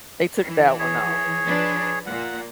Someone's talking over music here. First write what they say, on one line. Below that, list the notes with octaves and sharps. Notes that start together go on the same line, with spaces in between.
They took that one off.
E3
G#4 C#5
F3 D4 B4
A#2 F#5